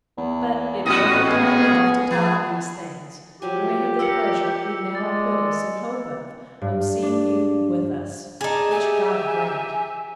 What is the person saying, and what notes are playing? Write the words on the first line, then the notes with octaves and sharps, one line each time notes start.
But it will be time enough to talk of these things, when we have the pleasure you now put us in hope of, of seeing you with us; which God grant.
E2
A1 G#2 F#4 D#6
B3 G#4
F3 B3 G#4
F3 F#3 G4 G#5
F4 A#4 F#5 E6 C#7
G#3 D5 A6
G2
D4
D#4 G#4 D5 A5
G4 E5 G#5